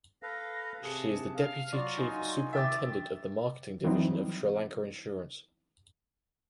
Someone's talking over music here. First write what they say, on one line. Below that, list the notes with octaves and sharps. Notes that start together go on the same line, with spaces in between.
She is the Deputy Chief Superintendent of the Marketing Division of Sri Lanka Insurance.
A4 B4 F5 A#6
C3 G#4 A5 C#7
F5
F#3 F4 F#4 D5
D#4 G#5 C6
D#3 E5 G5 D6 A6
E3 F#3 G3 C4 D#4 E4